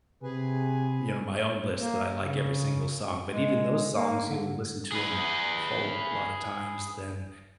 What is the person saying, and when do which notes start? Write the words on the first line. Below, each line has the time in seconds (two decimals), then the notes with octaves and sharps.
you know, my own list that I like every single song, but even those songs, you'll listen to 'em a whole lot of times, then
0.23 C3 G#4 B4 G#5
1.78 A#3
2.18 C#3
3.26 G#3
3.94 A#3
4.28 D3
4.92 G#4 B4